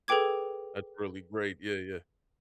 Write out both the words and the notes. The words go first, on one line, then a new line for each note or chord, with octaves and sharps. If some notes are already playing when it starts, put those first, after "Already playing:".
that's really great, yeah, yeah.
G#4 A4 B4 G5 D6 G#6